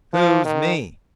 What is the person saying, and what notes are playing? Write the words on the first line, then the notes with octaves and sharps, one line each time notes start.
"Who's me?"
F3
D#3